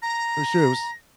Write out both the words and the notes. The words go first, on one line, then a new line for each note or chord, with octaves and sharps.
For sure, it was
A#5 A#6